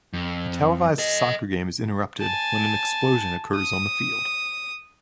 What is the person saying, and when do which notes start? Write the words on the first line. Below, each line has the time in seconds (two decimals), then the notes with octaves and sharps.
A televised soccer game is interrupted when an explosion occurs on the field.
0.13 F2
0.98 A4 D#5
2.20 G#5 A5
3.55 D#6